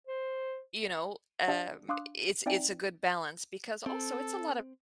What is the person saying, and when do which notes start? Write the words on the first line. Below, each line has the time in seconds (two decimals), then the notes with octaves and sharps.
you know, um, it's it's a good balance because also it's a lot of
0.07 C5
1.48 D4 G4 D5 E5 F#5 A5
1.89 D4 F5 C6 D6 D#6 F#6
2.46 C4 D#4 D5 E5 G5 G#5
3.86 C4 A4